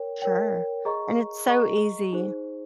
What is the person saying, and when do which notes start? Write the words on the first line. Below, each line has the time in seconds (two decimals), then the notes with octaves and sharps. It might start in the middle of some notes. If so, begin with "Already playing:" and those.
Sure. And it's so easy,
Already playing: A#4 C#5 G5
0.22 A#4 C#5 G5
0.85 G#4 D#5 A#5 C#6
1.49 G#4 D#5 A#5 C#6
2.13 D#4 G#4 C5